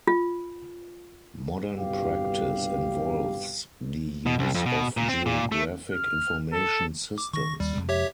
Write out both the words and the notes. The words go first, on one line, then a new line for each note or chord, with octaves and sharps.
Modern practice involves the use of Geographic Information Systems.
F4
G1 C2 G2 B2 G4 F5
B2
C2
F2
B2
A#2
C4
A#2
A3
F6
A4
D6
D#3 C#6 A#6
D#2 G3
F2 C3 G#3
G4 C#5 E5